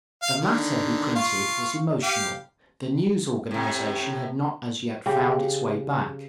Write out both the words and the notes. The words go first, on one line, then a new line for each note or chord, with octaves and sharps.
The matter he printed was emotional; the news organisation had not as yet found its way back.
F5
D3 D#3
F4 F5 C#6
G4 F5
A2 C3
C#3 G4